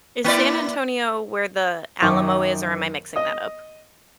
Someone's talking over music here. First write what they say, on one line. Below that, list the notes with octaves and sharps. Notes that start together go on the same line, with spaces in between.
Is San Antonio where the Alamo is, or am I mixing that up?
A#3 E4 D5
F#2 D#3 C#6 D6
D#5 D#6